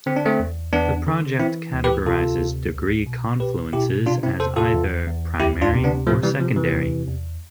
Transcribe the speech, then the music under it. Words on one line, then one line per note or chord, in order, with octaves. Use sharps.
The project categorizes degree confluences as either "primary" or "secondary".
D3 C4
D4
A3 C4
E2
E2 B3 D4
D3
E3 C4 E4
D2
G4 B4
C3 F4 A4
D2
C2
B2
C2 G4 B4
B2 E4 G4
C3 D4 F4
C4 E4
E2 A4 C5
F4 A4
E2
E2
D2 E4 G4
D4 F4
C3
B3 D4
C3 F3 A3
E3 G3
C3 F3
E3
E2
E2